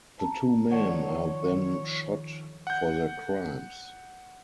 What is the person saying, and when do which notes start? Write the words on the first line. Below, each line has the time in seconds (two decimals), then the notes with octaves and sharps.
The two men are then shot for their crimes.
0.19 A5 A#5
0.71 D#3 F3 A4 C#5 D5 F#5
2.67 F#5 G6